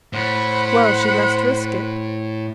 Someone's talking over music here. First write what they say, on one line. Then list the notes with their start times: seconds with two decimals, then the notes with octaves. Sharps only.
Well, she must risk it.
0.13 A2 C5 F#5 B5